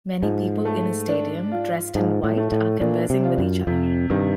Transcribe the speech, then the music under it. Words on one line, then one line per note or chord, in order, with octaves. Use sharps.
Many people in a stadium dressed in white are conversing with each other.
G#2 F3
A3
D4
F4
G#2 F3
A2
A3
A2
A#2 D4
C3
F4
F#2
F2 C3
G2 D#3